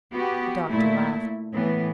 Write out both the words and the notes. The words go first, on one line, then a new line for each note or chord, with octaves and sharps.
The doctor laughed.
B3 F#4 G4
A#2 A3 E4
A2 E3 B3